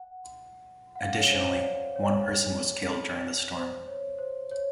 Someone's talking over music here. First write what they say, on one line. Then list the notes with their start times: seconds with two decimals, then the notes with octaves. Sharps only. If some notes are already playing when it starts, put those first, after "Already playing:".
Additionally, one person was killed during the storm.
Already playing: F#5
0.96 F#5
0.99 F5
1.16 C#5
1.31 C5
1.47 C#5
1.63 D5
1.96 C#5
3.55 C5
3.87 C#5
4.18 C5
4.51 C#5